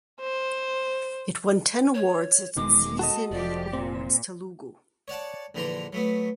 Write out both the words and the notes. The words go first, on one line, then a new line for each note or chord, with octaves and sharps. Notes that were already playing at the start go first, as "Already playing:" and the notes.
It won ten awards at Zee Cine Awards Telugu.
C5
C#5
E1 B2 D#3 G#3 D6
F#4 A4 D#5 A5
F1 F3 G4 D5
A#2 C4
C#5 D5 F#5 A5
A#1 D3 E3 D4 A#5 C6
F#3 A3 B3